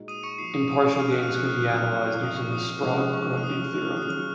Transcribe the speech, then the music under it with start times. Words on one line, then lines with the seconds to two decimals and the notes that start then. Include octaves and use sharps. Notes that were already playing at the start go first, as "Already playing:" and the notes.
Impartial games can be analyzed using the Sprague-Grundy theorem.
Already playing: A#2 G#3 D#4 F#4
0.08 D#6 D#7
0.23 C#6 C#7
0.38 F3 A#3 D#4 F#4 C7
0.54 D#6
0.69 D#6
0.84 D#6
0.99 F3 G#3 C4 F6
1.11 F#6
1.22 F6
1.35 F#6
1.47 F6
1.59 F2 D#3 F#3 F#6
1.70 F6
2.21 A#2 F3 C4 D#4 F#4 D#6
2.36 C#6
2.52 D#6
2.82 C#3 F3 G#3 C#4 G#4 C#6
2.98 D#6
3.13 C#6
3.37 F6
3.43 C#3 G#3 C#4 G#4 D#6
3.74 F#6
3.85 F6
3.97 D#6
4.04 D#3 F#3 C#4 F4 G#4 F6